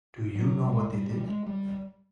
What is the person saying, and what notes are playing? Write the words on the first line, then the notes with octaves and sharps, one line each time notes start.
Do you know what they did?
F#3
G3
G#3
G3
G3
G3
G#3
G3